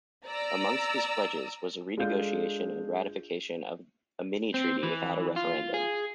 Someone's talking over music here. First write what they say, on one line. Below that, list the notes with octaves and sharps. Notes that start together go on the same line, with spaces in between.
Amongst his pledges was a re-negotiation and ratification of a mini-treaty without a referendum.
D5 A#5 E6
G#3 D4 F4 A4 F5 G6
C4
E3
F4
G#4